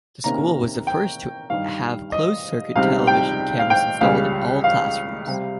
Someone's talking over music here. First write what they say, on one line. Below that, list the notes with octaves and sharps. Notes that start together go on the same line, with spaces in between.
The school was the first to have closed-circuit television cameras installed in all classrooms.
C3 D#3 A#3 C#4 A#5
G5
G2 D#3 G3 F5
D#5
C#2 C3 G3 C4 D#4 F5
G5
F5
G5
C#2 C#3 G3 C#4 F5
F5
C3 G3 C4